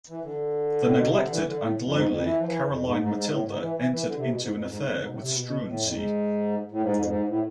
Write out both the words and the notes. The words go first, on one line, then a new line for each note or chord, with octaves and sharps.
The neglected and lonely Caroline Matilda entered into an affair with Struensee.
E3
D3
A2
B2
C3
D3
E3
D3
A2
F2
G#2
F2
E3
F3
E3
F2
G#2
G#2
G#2
A2
G#2
E3
E3
E3
D3
C3
B2
G#2
F2
G#2
F2
G#2
B2
A2
C3
B2
B2
A2
F2
G#2
A2
G#2
F2
G#2
A2